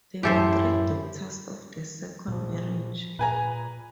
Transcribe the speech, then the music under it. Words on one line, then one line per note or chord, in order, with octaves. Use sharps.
There were three daughters of the second marriage.
A1 F#2 E4 G4 A4 C5 E5
A#2 F3
A#2 B4 G#5 A#5